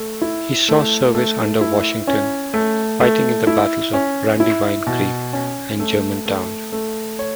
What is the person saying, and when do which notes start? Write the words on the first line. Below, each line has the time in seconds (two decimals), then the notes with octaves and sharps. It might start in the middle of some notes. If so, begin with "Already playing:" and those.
He saw service under Washington, fighting in the battles of Brandywine Creek and Germantown.
Already playing: A3 A4
0.21 E4
0.69 A3
1.15 A3
1.61 E4
2.07 C#4
2.54 A3
3.00 A3
3.47 E4
3.93 C#4
4.40 E4
4.87 B2
5.33 C#4
5.80 A3
6.26 A3
6.72 A3
7.19 C#5